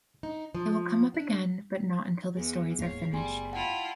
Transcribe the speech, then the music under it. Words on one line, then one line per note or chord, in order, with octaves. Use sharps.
They will come up again but not until the stories are finished.
D#4
F3
D4
E2 G#4
D1 G#2 A#3 C#5 F5
F#1 G3 A3 B3 G#4 G#5 C6
E4 F4 F#5 G5 A5 B5